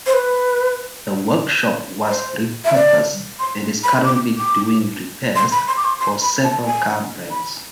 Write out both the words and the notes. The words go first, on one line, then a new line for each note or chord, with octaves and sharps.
The workshop was repurposed and is currently doing repairs for several car brands.
C5
B4
C5
E5
D5
C6
B5
D6
D6
C6
B5
C6
D6
C6
C6
B5
A5
G#5
B5